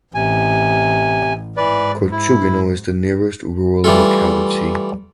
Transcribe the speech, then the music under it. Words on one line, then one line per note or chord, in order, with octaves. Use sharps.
Kolchugino is the nearest rural locality.
A1 C3 G#5
G#2 E3 B4 D5
E4
E3 G3 A3 F4 A4